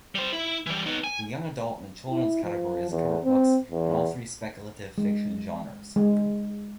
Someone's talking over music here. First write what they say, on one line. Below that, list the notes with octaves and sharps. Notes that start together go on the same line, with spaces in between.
The Young Adult and Children's categories cover books in all three speculative fiction genres.
G3 C5
E4
E3 G3
B3 D#4
G#5
E4
F3
E2
C4
E2
G#3
G#3